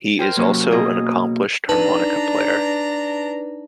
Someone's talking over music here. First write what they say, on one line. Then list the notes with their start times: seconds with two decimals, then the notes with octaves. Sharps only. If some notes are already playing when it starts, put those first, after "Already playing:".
He is also an accomplished harmonica player.
0.19 A#4 C5 G5 G#5
0.36 C3 F#3 A#3 C#4 F#4
0.71 B2 A#3 G#4 D#5
1.69 D4 D#4 B4 A5 A#5